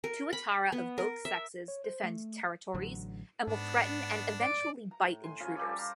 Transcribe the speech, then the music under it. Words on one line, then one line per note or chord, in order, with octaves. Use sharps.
Tuatara of both sexes defend territories, and will threaten and eventually bite intruders.
A#4
B5
B3
A#4
E5
C#5
C5
A3
A1 D3 F#3
G#2 B3 D4
D5
A#5
A2
G#5 C6
C#3 F3 C#4 G#5
G3 G4 A4 D5
C5 F5 A#5